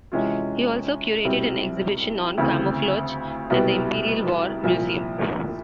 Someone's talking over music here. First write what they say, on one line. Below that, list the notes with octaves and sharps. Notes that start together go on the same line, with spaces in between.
He also curated an exhibition on camouflage at the Imperial War Museum.
C3 E3 G#3 C#4 F4
C2 B2 G3 C4
D2 C#3 E3 A3 C4
C2 B2 G3 B3
C2 A#2 F3